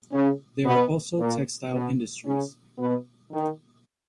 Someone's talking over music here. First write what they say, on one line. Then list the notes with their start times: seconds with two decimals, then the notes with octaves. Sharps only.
There are also textile industries.
0.13 C#3 C#4
0.65 B2 B3
1.19 A#2 A#3
1.72 B2 B3
2.25 C#3 C#4
2.78 B2 B3
3.32 D#3